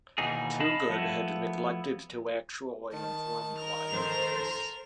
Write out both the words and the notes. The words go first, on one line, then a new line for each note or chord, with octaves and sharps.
Toogood had neglected to actually inform Dwyer of this.
D#2 B2 E3 D#4 G#4
D#5 F5 A5 B5
F3 A3 B3 E4
D#3 A5
A#4 F7
A4 C5